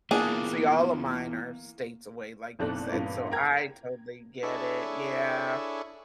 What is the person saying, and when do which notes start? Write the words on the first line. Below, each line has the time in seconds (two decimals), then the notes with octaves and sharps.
See, all of mine are states away like you said, so I totally get it Yeah,
0.11 A#3 B3 D4 E4 F4 G#4
2.59 F#1 B1 C4 A4 D5 F#6
2.92 G2 A#2 E3 B3 C#4
3.31 A#4 G5 A#5 G#6
4.43 D4 E4 G#4 A4 C#5